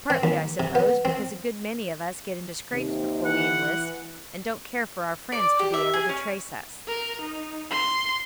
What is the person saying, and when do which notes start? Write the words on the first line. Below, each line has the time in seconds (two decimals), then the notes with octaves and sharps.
"Partly, I suppose, because a good many of us get into scrapes before we enlist, and don't care for our friends to be able to trace us."
0.10 C4
0.23 D#2
0.60 C3
0.75 B3
1.05 C4
2.71 D#2 C3
3.25 E3 F#5
5.32 D5
5.59 G4
5.74 E5
5.93 G#4
6.09 C#4
6.88 A#4
7.22 D#4
7.71 C6